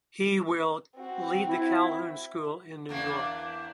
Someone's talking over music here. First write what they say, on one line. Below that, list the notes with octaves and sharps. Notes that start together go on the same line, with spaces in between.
He will lead The Calhoun School in New York.
C4 F#4
E4
E2 A#3 D4